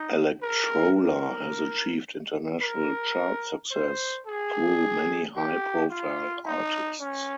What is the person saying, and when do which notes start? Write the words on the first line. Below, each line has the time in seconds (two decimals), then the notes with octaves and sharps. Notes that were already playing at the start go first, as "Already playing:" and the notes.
Electrola has achieved international chart success through many high-profile artists.
Already playing: D#4
0.42 A#4
0.97 A#4
2.61 A#4
3.71 C5
4.27 G#4
5.36 G4
5.91 F4
6.46 D#4
7.01 C#4